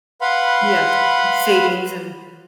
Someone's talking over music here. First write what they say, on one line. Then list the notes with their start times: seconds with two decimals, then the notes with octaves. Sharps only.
Yes, savings and
0.21 B4 F5 F#5 B5 C6